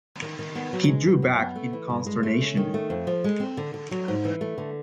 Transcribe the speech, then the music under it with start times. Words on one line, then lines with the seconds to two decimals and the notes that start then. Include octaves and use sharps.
He drew back in consternation.
0.22 D#3
0.39 D#3
0.55 B3
0.73 F#3
0.88 G#3
1.06 B2
1.22 F#2
1.39 B3
1.55 A3
1.73 E3
1.89 G2
2.06 G#3
2.23 A3
2.40 C#4
2.57 D#3
2.74 A3
2.90 F2
3.07 F3
3.24 G#3
3.40 C4
3.57 D3
3.74 D3
3.91 F#3
4.08 G#2
4.25 E3
4.41 A3
4.58 D3